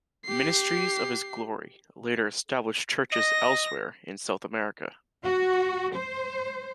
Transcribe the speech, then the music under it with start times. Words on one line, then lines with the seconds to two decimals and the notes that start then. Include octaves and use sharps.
Ministries of His Glory later established churches elsewhere in South America.
0.25 G4 C7
3.13 D#5 A#6
5.24 F#4
5.95 C5